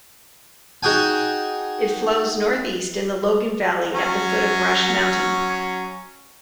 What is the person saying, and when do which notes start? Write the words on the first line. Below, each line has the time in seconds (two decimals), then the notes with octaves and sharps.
It flows northeast in the Logan Valley at the foot of Brush Mountain.
0.83 D#4 F#4 G#4 G5 G#5
3.94 F#3 C#4